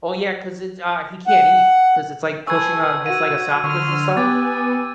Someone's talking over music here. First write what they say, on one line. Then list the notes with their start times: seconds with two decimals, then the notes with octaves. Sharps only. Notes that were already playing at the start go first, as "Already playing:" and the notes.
Oh, yeah, 'cause it's, uh he can't eat 'cause it's, like, pushing on his, like, esophagus and stuff,
1.27 F#5
2.47 A4 B4 C5 G#5 C#6 E6 G#6
3.06 F#4 D#7
3.64 D3 C6 C#6 F6
4.17 B3 G4 B4 G#5 D6 A6